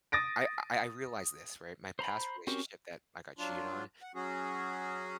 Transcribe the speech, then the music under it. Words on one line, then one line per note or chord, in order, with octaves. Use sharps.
I I I realize this, right, my past relationship that I got cheated on,
D#6 A6 A#6 D7
C5 A#5 B5
C4 C#4 F#4 G4 A#4
F#3 D4 F4
F#5
F#3 C#4 F#4 G#4